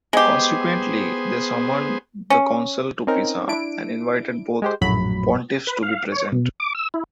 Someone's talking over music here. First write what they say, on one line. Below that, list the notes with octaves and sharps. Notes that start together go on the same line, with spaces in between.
Consequently, they summoned the council to Pisa and invited both pontiffs to be present.
G#3 B3 G4 G#4 C5
C#4
C4 C#4 D#4 A#4
D4 E4 D7
G#3 G4 C5
A#1 F#2 A2 F#3 B5
B4
F5
C#5
B2
D6
E6
E4